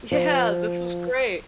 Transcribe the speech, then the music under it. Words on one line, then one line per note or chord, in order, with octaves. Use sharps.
Yeah, this was great
F3